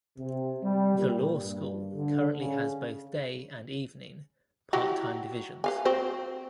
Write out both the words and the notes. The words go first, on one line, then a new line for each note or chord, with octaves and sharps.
The law school currently has both day and evening, part-time divisions.
C3
G3
A#2
G2
D3
C#3
F#3 E4 G4
B4 F5 G#5
C4 F#4 C5